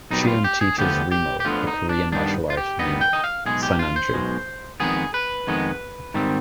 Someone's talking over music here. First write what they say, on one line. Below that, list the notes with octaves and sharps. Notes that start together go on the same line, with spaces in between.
Chiun teaches Remo the Korean martial art named "Sinanju".
B1 B2 G3 D#4
D#4
F4
G4
G#4
D2 D3 F3 B3 G4
G4
G4
D2 D3 F3 B3 F4
D#4
D4
G2 D#3 G3 B3 D4
F4
G4
G2 D#3 G3 B3 D#5
G5
D#5
F5
B1 B2 G#3 G#4
G4
F4
C5
B1 B2 G#3
F2 D#3 G#3 B3 G#4
B4
F2 D#3 G#3 B3
G#2 D#3 G3 C4